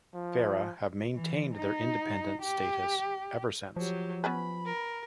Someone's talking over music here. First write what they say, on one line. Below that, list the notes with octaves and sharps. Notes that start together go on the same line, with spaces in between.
Farrah have maintained their independent status ever since.
F3
E3
D#4
G4
F3 F#3 G4
B3 C#4 B4 B5
A#4